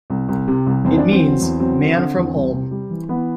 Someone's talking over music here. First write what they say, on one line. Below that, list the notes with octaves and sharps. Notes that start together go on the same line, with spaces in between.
It means "man from Ulm".
C2
C2
C3
C2
E2 C4
D4
E2
C4
F#3
E2
F#3 C4
D3
D3
E2
C2
C3
G3
E3
E3 B3